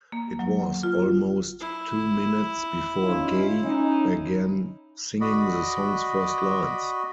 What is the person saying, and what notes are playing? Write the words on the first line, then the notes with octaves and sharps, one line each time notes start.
It was almost two minutes before Gaye began singing the song's first lines.
A#3
F#3
F4
E4
C#4 D#4 F4
C#4 D#4
F#4 D5 D#5 B5